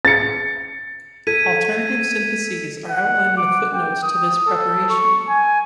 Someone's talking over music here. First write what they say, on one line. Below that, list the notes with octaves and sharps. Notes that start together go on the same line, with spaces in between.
Alternative syntheses are outlined in the footnotes to this preparation.
A6 C#7
A4 G#6 B6 D#7
F#5
D6
G5
D#6
A4
C#6
G#5